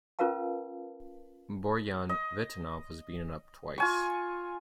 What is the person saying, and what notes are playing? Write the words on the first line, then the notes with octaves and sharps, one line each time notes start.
Borjan Vitanov, was beaten up twice.
C#4 F4 A#4 B4 F5 A5
D#5
F4 G#5 C#6